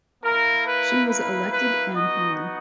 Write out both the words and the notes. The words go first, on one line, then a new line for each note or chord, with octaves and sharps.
She was elected an Hon.
A#3 E4 A#4
B4
B4
B4
B3 D#4 F#4 D#5